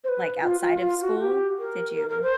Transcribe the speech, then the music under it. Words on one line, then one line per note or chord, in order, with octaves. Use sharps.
like, outside of school? Did you
C5
B4
F4
F4
F4
F#4
G4
A#4
A#4
A#4
C5